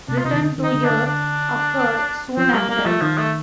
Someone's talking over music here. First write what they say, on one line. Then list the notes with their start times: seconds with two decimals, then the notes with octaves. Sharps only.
Return to Earth occurred soon after.
0.08 C3 D4
0.17 F4
0.25 C3 D#4
0.33 D#3
0.41 D3
0.58 D#3
0.63 D#4
0.74 D3
0.84 D4
0.90 D3
1.06 D4
2.37 F3 C4
2.53 G3 A#3
2.69 G3 A#3
2.79 G3
2.86 F3 A3
3.01 D#3 F3
3.17 A3